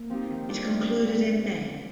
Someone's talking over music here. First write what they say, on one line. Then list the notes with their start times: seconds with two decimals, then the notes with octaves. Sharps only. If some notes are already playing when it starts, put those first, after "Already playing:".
It concluded in May.
Already playing: A#3
0.10 F3 C4 D#4 G4
0.29 D#3
0.49 G3 D4 F4
0.68 D#3
0.88 G3 D4 F4
1.06 A#2